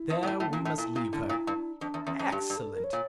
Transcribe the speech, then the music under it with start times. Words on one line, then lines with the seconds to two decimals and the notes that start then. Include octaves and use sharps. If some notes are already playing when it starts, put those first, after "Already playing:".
There we must leave her!' Excellent!
Already playing: E4
0.10 F2
0.23 A#2
0.27 A2
0.40 A2
0.48 A#2 A#3
0.58 C#4
0.65 A2
0.68 D4
0.78 A#2 E4
0.96 A#2
1.13 D3
1.29 A#2
1.47 G2
1.81 F2 D4
1.94 E2
2.07 E2 C#4
2.19 F2
2.32 G2 G4
2.50 G2
2.57 A4
2.74 A#4
2.84 C#5
2.93 A#2